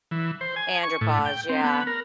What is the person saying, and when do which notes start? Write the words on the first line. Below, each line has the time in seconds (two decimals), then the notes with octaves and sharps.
Andropause, yeah.
0.11 E3
0.41 C5
0.56 G#5
0.83 C#6
1.01 A2
1.25 G5
1.49 C4
1.64 B3
1.87 A#4